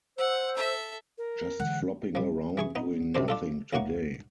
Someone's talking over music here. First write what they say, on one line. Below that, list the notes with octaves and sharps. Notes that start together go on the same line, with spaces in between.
Just flopping around doing nothing today.
C5 F#5 E6
A4 E5
A#4
D3 E3 G#3 F#5
F3 G3
E3 G#4 C#6
B3 D#4
D2 C3 D4 C5
D4 F4 A4
C#2 A2 A#3 F#5 C#6